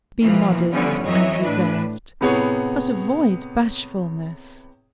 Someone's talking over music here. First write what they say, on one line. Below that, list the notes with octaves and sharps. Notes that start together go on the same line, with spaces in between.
Be modest and reserved, but avoid bashfulness.
B2 E3 F3 A#3
D3 E3 F3 G3 B3 C#4
F2 E3 F#3 C#5 D#5 E5
A2 D4 B4
A2 C3 B3 G#4 C#5